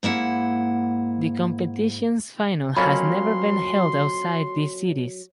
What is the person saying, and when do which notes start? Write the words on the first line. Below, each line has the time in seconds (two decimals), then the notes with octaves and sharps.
The competition's final has never been held outside these cities.
0.03 G#2 A#3 E4 F#5
2.76 F2 F#3 A#3 C#4 B5 C6